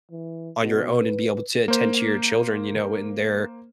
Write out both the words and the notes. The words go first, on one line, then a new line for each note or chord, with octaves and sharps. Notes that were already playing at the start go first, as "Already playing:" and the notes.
on your own and be able to attend to your children, you know, in their
E3
B2
B4
A#3 C5